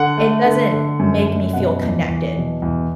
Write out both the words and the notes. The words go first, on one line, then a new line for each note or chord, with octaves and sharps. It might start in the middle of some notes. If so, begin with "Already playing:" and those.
it doesn't make me feel connected
Already playing: D3 F#5
A3
D3
D3
F#2
F#2
B2 F#5
E2
E2
B2
E2